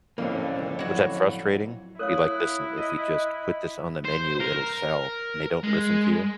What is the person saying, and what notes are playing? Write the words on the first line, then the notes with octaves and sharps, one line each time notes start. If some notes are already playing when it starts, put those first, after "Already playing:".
Yeah, was that frustrating? Be like, "Listen, if we just put this on the menu, it'll sell," and they don't listen to you?
F2 A2 D3 A#3 C4 C#4 E4
F#3 E4 F#4
E4 A#4 C#5 F5 D#6 F#6
D#5
C5
A#4
G#3